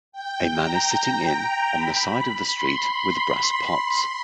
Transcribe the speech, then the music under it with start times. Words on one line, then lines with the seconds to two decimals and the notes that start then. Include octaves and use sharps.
A man is sitting in on the side of the street with brass pots.
0.12 G5
0.54 A#5
1.73 B5
2.53 C6